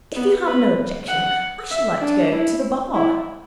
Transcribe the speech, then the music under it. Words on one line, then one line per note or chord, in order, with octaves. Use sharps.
If you have no objection, I should like to go to the Bar.'
B3
B4
F#5
E5
D4
E4
E4